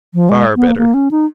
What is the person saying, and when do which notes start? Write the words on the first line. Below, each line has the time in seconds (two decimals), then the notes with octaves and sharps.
Far better.
0.14 F3
0.29 G#3
0.56 B3
0.68 A#3
0.78 A#3
0.94 C#4
1.11 D#4